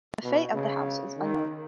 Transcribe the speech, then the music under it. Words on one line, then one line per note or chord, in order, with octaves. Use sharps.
The fate of the house is unknown.
B2
C#3
D#3